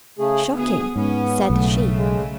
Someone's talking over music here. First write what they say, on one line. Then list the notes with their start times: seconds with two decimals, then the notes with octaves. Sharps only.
"Shocking!" said she.
0.19 C#3 A3 G#4
0.54 D2 B3 G#4
0.96 G#2 B3 C#4
1.50 B1 C#3 A3
1.97 G#3